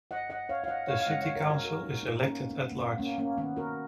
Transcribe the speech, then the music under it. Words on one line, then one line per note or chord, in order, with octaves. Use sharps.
The city council is elected at-large.
D#5 F#5
D#5 F#5
C#5 F5
F5
D#5 F#5
C#5 F5
F5
C#3 G#3 D#5 F#5
C#5 F5
A#4 C#5
F#4 A#4
F#4 A#4
D#4 F#4
B3 D#4
A#3 C#4
B3
A#3
B3
A#3 C#4
A#3 C#4
D#3 A#3 B3
F#4 A#4